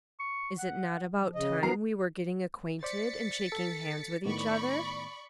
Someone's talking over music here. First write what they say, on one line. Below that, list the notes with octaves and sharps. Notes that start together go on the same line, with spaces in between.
Is it not about time we were getting acquainted and shaking hands with each other?
C#6
F#5
F3
C#3 D#5
F#3 B3 A#4 A#5 C7
C5 D5 A6 B6 C#7
A4
A2 D#3 B3 D5 B5 C#6